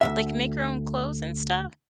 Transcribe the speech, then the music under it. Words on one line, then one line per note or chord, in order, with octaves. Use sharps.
like, make our own clothes and stuff.
D2 G#2 E5